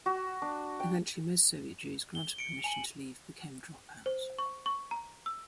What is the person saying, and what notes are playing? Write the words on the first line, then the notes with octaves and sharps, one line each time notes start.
Eventually, most Soviet Jews granted permission to leave became dropouts.
F#4
D4
G5
G7
C#7 D7
G#5 A5 F#7
C5
C#6
C#6
A#5
E6